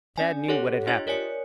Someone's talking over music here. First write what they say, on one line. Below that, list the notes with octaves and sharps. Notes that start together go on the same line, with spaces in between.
Tad knew what had happened.
C#4 D5 G#5
G4 A4 C#5 F#5
D4 F4 G4 C#5 D#5 A6
A#4 C#5 D5 G#5 C#7